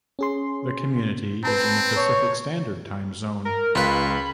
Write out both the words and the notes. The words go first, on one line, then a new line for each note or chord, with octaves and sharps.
The community is in the Pacific Standard Time zone.
C#4 G#4 C6
C4 B4 A5 A#5
C#5
A#4
C#2 F4 B4 B5